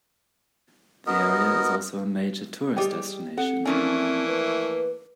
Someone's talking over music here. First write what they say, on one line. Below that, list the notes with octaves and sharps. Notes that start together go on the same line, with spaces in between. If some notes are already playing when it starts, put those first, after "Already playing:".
The area is also a major tourist destination.
B3 F#4 A#4 D#5
G3 G4 G#4 D#5 G5
C4 A4 F#5
E3 F3 A3 A#3 C#4 D4 G#5
B4